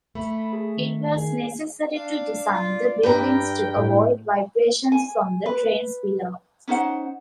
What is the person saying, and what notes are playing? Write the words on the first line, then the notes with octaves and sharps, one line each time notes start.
It was necessary to design the buildings to avoid vibrations from the trains below.
A3 B5
G#4
D#3
G#4
D4 F5
F4 D5
G2 B4 G5 A#5
A2
G#5
B4
C#4 D#4 C5 F#5